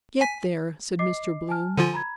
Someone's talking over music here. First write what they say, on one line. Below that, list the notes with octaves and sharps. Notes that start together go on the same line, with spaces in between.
"Get there," said Mr. Bloom.
G#5 B6
D#5 D6 C7
G#5 A5 F6
D3 F3 F4 G#5 D#7
A#5 B5 G#6